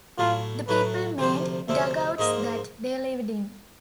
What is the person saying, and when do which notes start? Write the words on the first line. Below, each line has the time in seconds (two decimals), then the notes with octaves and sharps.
The people made dugouts that they lived in.
0.18 A2 F#3 A3 F4
0.68 A2 F#3 A3 B4
1.18 D2 C3 F3 C5
1.68 D2 C3 F3 E5
2.18 G#2 F3 A#3 D#5